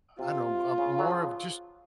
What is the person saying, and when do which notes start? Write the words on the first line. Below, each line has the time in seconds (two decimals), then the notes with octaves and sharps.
I don't know uh, a more of just
0.19 C3 F4
0.78 C#3
0.99 F#3
1.11 F3